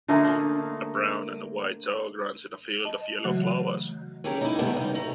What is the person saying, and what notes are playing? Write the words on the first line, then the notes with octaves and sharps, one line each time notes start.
A brown and white dog runs in a field of yellow flowers.
D3 A3 A#3 D#4
D#5 A5
C#3 E3 F#3 A3 F#4
A3 C#4 G4 G#4 A#4
D#4 E4
A2 C3 D#3 G3 A3 B3
D#4
A3 A#5